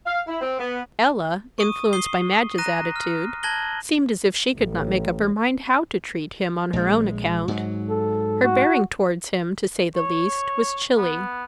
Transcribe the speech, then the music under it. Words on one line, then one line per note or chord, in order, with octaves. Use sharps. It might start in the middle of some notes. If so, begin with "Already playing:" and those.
Ella, influenced by Madge's attitude, seemed as if she could not make up her mind how to treat him on her own account; her bearing towards him, to say the least, was chilly.
F5
E4
C4
B3
C#6 D#6 D#7
D#6 C7 G7
A#5 F#6 A#6 D#7
F6
A5 F#6 G#6 A#6 F#7 G7
A1
A#1 G#3
G#2 F#3
A4
F#4
C#5
B3